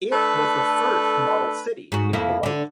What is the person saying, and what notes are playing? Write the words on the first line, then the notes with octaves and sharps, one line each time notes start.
It was the first model city in Hawaii.
A3 D4 A4 B4
G#2 F#4
F2 A#3 E4
D3 D4